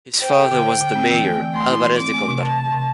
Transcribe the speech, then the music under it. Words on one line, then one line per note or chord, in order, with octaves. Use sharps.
His father was the Mayor Álvarez de Condarco.
C5 G5
A4
D3
C5
D3
C4
E3
A3
E3
A3 C6
E4
E3
C4 D6
A3
C3
C3 A5
C3
C3